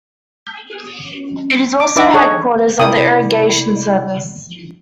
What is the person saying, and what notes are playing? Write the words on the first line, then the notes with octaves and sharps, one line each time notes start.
It is also headquarters of the Irrigation Service.
D6
D4 D#4 B4 E5 D6
G#4 A4 C#5 D#5 F#5
C3 E4 A#4 D5 G5 D#6